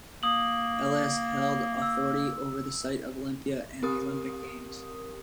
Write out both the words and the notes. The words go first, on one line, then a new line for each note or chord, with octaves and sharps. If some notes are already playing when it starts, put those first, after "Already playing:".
Elis held authority over the site of Olympia and the Olympic games.
A#3 D#6 F#7
E6
C4 G4 A#4 D#6